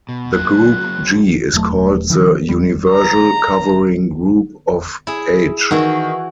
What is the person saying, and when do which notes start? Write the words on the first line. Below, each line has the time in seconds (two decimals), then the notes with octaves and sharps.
The group "G" is called the "universal covering group" of "H".
0.09 B2
0.32 F#3 A#3 F#6
1.54 E1 F#3 A3
2.10 D3 E3
2.49 G3
2.90 A#5
5.07 E4 G#4
5.71 D#3 E3 F#4